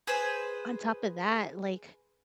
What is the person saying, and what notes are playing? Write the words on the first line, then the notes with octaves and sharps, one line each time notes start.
On top of that, like,
G#4 B4 C5